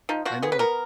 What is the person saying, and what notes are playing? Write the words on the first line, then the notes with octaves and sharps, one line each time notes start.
I know it
F3 D#4
F3 F#4
B3 G#4
B4
B3 A#4